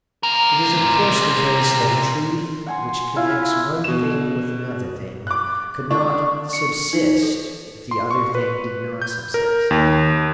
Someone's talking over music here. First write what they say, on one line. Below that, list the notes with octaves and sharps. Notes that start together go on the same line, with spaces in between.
It is of course the case that a truth which connects one thing with another thing could not subsist if the other thing did not subsist.
C3 A#4
F#5 G#5 C6
E4 F4
B2 E7
D6 F#6
D4 C#6
C#7
D#4
A4
C6
C#6
B4
G6
A#4
D#2